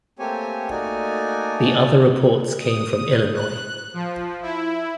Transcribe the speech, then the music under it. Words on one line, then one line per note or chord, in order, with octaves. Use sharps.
The other reports came from Illinois.
A3 A#3 C4 G4 C#5 G#5
A3 A#3 D#4 F#4 D5 G#5
D#6
F#6
F3
E4